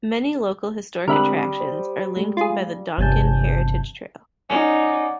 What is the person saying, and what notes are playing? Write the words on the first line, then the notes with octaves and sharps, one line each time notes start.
Many local historic attractions are linked by the "Donkin Heritage Trail".
D3 G3 G#3 C4 A#4 E5 D#6 F#6
C5
G#3 A3
F4 G#4
G1 E2 C3 G#5 A5 G6
C#4 D#4 D5 F#5